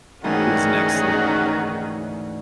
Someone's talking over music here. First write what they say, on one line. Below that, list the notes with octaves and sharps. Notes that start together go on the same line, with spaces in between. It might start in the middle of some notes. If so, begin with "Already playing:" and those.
it was next level,
D2 G#2 D#3 E3 C#4 F#4 G#4